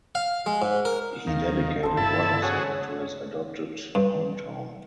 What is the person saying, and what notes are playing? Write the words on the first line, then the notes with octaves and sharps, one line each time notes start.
He dedicated one of them to his adopted hometown.
F5
G#3
G#2
A#4
D#2 D#3 F5
G1 A4 C5
G2 E4 C5 A5
C#4 F#4 G#4 F#5
G2